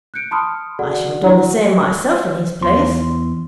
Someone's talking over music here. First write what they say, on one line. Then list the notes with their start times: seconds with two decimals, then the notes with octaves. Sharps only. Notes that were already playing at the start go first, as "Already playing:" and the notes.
I should have done the same myself in his place.'
0.14 F#6 G6 C#7 D7
0.31 A5 B5 C6 D#6 F6
0.79 F#4 G#4 A4 D5 F#5
1.22 D4 E4 F#4 F#5 A#5
2.61 E2 C6